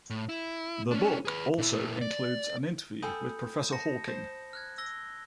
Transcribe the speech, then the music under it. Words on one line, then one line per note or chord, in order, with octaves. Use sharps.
The book also includes an interview with Professor Hawking.
A2
E4
C#4 D4
G#4 B4
A#2 E4
D5
A4 G5 G#5 B5 D#6 G6
A5 A#6 C#7
C5
F6 F#6 G#6
E6 A#6 G7